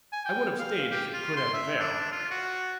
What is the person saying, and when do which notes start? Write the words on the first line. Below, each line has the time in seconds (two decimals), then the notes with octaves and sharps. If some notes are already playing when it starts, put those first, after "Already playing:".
"I would have stayed if it could have availed."
0.13 G#5
0.26 G5
0.59 F5
0.91 G4
1.13 F4
1.36 C6
1.54 E5
1.80 D4
2.12 F4
2.31 F#4